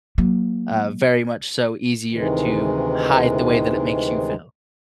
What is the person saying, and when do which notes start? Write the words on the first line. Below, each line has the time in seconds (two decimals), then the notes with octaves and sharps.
uh, very much so easier to hide the way that it makes you feel.
0.18 F#3 A#3
2.12 D2 C3 D#3 E3 G#3